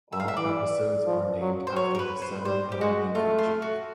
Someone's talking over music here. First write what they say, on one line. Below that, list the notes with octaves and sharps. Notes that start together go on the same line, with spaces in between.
All episodes are named after the seven heavenly virtues.
E5
F5
E5
E3 D5
F3
F#3
C5
F#3 C#5
A#4
B4
C5
G3 C5
G4
G#3 F#4
A3 F4
F4
F#4